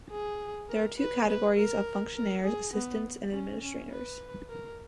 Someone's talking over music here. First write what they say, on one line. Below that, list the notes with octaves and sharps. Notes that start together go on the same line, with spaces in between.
There are two categories of fonctionnaires Assistants and Administrators.
G#4
A#4
B4
B4
A#4
A#4
G#4
B3
C#4
C#4
B4
A#4